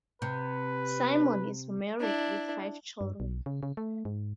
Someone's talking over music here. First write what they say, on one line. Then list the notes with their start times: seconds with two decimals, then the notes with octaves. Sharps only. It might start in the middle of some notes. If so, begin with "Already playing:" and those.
Simon is married with five children.
0.22 C3 B4
2.00 D4 E4
3.01 G2
3.20 B1
3.46 C#3
3.63 C#3
3.77 A3
4.05 G#2